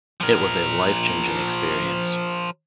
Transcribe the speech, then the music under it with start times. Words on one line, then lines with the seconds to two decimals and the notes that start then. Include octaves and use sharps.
It was a life changing experience.
0.21 F3 A#4